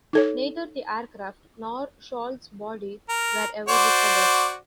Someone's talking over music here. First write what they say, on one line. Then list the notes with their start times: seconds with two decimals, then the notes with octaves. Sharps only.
Neither the aircraft nor Scholl's body were ever recovered.
0.13 D#4 A4 C#5
3.09 A#4
3.69 F#4 C5 D5